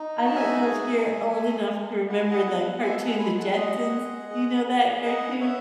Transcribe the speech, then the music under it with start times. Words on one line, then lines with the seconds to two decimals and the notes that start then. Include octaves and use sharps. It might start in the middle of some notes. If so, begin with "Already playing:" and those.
I don't know if you're old enough to remember that cartoon, The Jetsons. You know that cartoon?
Already playing: D#4
0.25 F#4 A5
0.36 E5 G#5
0.61 G#4
0.97 G#3
1.35 A3
1.72 A3
2.09 E4 F#5
2.19 G#5
2.30 D#5 F#5
2.45 B3
2.82 G#3 E5 G#5
3.00 F#5 A5
3.19 G#3 G#5 B5
3.38 F#5 A5
3.56 G#3 D#5 F#5
3.93 G#4
4.31 G#4
4.67 G#4
5.04 B3 D#5 F#5
5.41 B3 C#5 E5